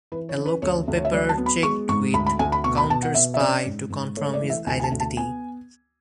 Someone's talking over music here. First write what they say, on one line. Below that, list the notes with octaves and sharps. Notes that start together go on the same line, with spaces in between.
A local paper checked with "CounterSpy" to confirm his identity.
E3 B4
C#5
C#4
B4
D2 C#5
D2
C#5
E5
F#3 D5
A5
B3
B5
G#3 C#6
G#2 C#6
D2 B5
B5
D2 G#5
B5
B2 C#6
B5
B2 A5
F#5
B2 E5
E5
C#4 D5
G#2
G#2
A3 C#5
D5
E3
E5
D2 G#5
G#5
A5
D2
A5
B3 G#5